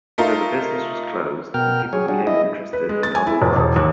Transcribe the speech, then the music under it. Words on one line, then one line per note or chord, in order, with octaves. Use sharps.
So the business was closed and people became interested in other work.
A3 D#4 F4 A#4
B2 A#4 G5 F6
F#3 G#4 C#5
G3 D4 F#4 G#4
E4 D#5
B4
G#3
A6
G#5
E4
F1
E1
D#2